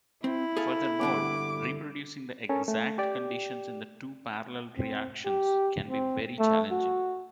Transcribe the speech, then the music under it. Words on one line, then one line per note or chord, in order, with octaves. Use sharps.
Furthermore, reproducing the exact conditions in the two parallel reactions can be very challenging.
C4 E4
G#4 A4 F5
G2 D3 B3 D6
C#4 A4 A#4
A3
G4 D5 G5
C4
G4
C4
A3
F#4